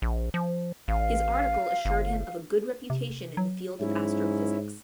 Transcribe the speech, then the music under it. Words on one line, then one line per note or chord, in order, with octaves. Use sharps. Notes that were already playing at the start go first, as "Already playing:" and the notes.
His article assured him of a good reputation in the field of astrophysics.
A#1
F3
A1 F5
G1
C3
F#3
G#2 C#4 E4